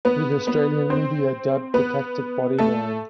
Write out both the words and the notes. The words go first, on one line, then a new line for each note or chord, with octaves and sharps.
The Australian media dubbed the tactic 'Bodyline'.
B3 B4
B3 B4
C4 C5
B3 B4
A3 A4